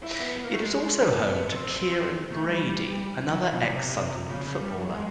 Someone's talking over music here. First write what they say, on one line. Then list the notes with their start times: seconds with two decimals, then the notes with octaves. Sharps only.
It is also home to Kieron Brady, another ex-Sunderland footballer.
0.03 E4
0.20 B3
0.36 B3
0.44 A#3
0.53 A3
0.61 G#3
1.01 G3
1.18 B3
1.35 B3
1.46 B3
1.50 C4
2.32 A3
2.49 G3
3.30 F#3
3.42 E3
3.52 B2
3.63 C3
3.73 C3
3.84 C3
4.29 C#3
4.45 C#3
4.61 G3
4.77 F#3
4.93 G#3